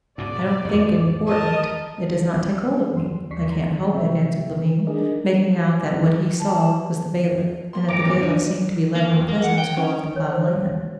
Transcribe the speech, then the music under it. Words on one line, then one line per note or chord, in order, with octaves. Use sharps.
"I don't think it important; it does not take hold of me, I can't help it," answered Levin, making out that what he saw was the bailiff, and that the bailiff seemed to be letting the peasants go off the ploughed land.
G#2 B2 D5
F2 A2 D#3
A#4 D#5 A5
F#2 F#3 C6
D#2 D5 C#6 B6 C7
A#5 C6
C3 F3 C4 E5 G5
D4 D#4 G#4 A#4 D5 D#5
A5
A#3 C6
A1 A#5 D6
E2 D#3
F#1 D4 D#7
A#3
F2
A#3
F#5
G5
C#4
C#5
C5